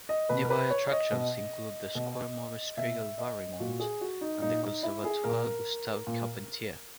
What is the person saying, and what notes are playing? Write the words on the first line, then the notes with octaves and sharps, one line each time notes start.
Nearby attractions include the Square Maurice Kriegel-Valrimont and the Conservatoire Gustave Charpentier.
D#5
B2 B4
A#4
B4
C#5
C#5
D#5
B2
B2
B2 E5
D#5
A#2 F#4
G#4
F#4
D#4
A#2 D#4
D#4
E4
G#4
A#2 A#4
A#2